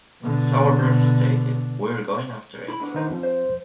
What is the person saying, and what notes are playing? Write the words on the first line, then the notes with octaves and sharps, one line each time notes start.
Sauerbrun stated, We're going after it.
B2 D3
E4 B5
D2 D3 B3
D#3 D#4 C5
F2 F3
C5